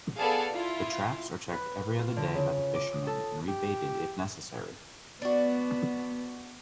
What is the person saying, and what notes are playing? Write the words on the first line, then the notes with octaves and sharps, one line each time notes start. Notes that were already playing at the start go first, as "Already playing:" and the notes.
The traps are checked every other day by the fisherman and rebaited if necessary.
B3 G#4 A4 D5 F5 A5
E4 F4
B4
F4
D3
C#3
D6
D#6
A4
G4
B3 D4 F#4